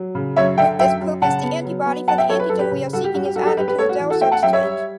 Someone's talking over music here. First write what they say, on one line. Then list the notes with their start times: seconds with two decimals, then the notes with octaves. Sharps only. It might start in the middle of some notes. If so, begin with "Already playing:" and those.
With this purpose, the antibody for the antigen we are seeking is added to the gel substrate.
Already playing: F#3
0.15 C#3
0.36 F#2 C#5 E5
0.58 D3 E5 G5
0.79 F#2 E5 G5
1.01 F#2
1.22 C#3 F#5 A5
1.43 B3
1.65 F#3
1.86 B3
2.08 F#2 F#5 A5
2.18 E5 G5
2.29 F#2 A4 C#5
2.39 B4
2.49 F#2 A4
2.59 G4 B4
2.71 C#3
2.93 G2 F#4 A4
3.04 G4
3.14 G2 F#4
3.25 G4
3.36 F#3 F#4 A4
3.43 G4
3.47 F#4 A4
3.57 G2 G4 B4
3.67 G4 B4
3.78 A3 A4 C#5
3.89 F#4
4.00 E3
4.10 F#4 A4
4.21 A3 E5 G5
4.31 F#5 A5
4.43 F#2 E5 G5
4.53 C#5 E5
4.64 G3